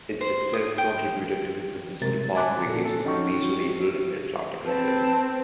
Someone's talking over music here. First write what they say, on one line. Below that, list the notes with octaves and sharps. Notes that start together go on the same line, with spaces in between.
Its success contributed to his decision to part ways with major label Atlantic Records.
C5
D#6
G5
C3 G#3 A#4 A6
G#5 A5 D6 F#6
A#2 A4
A4
C#4 D#4 F#4 G5 C#6
C4 B4 A5